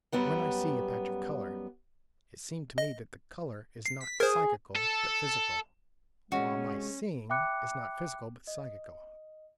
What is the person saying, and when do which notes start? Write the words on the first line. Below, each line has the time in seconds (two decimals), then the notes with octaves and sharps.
When I see a patch of colour, it seemed to me that the colour is not psychical, but physical, while my seeing is not physical, but psychical.
0.12 F#2 G3 B3 F#5
2.78 D#5
3.86 C7
4.00 B6
4.20 G#4 A#4 C5
4.76 A4
6.32 C3 G#3 C#4 F#4
7.29 E5 G5 B5 D6 F#6 C#7
8.47 D#5